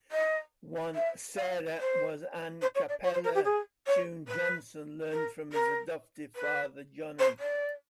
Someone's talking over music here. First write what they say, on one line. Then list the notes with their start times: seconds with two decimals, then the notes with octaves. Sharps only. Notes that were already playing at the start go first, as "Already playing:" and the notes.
One, "Sarah", was an a cappella tune Johnson learned from his adoptive father Johnny.
0.11 D#5
0.94 E5
1.36 F5
1.78 C5
2.61 C5
2.74 C#5
2.88 D5
3.03 C#5
3.13 C5
3.24 A#4
3.34 G4
3.44 G#4
3.86 C#5
4.27 B4
5.11 A#4
5.52 A#4
6.35 B4
7.18 C5
7.39 D5